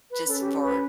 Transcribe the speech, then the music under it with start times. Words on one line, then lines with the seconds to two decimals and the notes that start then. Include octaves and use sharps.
just for
0.10 B4
0.28 C#4 A4
0.40 G4
0.63 B4